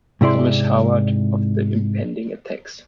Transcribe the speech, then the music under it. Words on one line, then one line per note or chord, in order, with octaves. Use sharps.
Thomas Howard of the impending attacks.
G#2 C3 E4 D5 C6